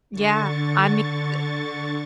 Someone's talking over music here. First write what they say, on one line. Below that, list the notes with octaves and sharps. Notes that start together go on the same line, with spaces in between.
Yeah, I mean uh
D3 C#6 A6